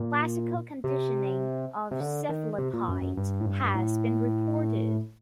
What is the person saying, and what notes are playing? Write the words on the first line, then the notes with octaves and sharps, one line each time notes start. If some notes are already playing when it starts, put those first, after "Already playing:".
Classical conditioning of cephalopods has been reported.
Already playing: A#2
C3
C3
D3
D#3
C3
A#2
F#2
F#2
G2
A2
G2
G2
A2